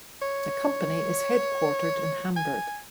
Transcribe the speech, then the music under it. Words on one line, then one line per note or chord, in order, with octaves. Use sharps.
The company is headquartered in Hamburg.
C#5
G#5